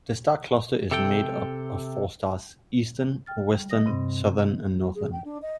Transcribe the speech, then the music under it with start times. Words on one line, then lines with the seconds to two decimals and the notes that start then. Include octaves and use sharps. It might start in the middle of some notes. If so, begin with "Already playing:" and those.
The star cluster is made up of four stars: Eastern, Western, Southern and Northern.
0.91 C3 A4 G5
3.26 G5 F6 A6
3.56 G3
3.69 D#5 D#6 A#6
3.86 G2 C3 C4
4.78 F#4
4.95 G#4
5.12 G5
5.24 D4
5.42 D#5